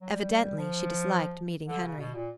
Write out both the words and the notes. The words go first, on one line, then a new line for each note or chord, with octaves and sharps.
Evidently she disliked meeting Henry.
F#3
G3
F3
D3
C#3
B2
A#2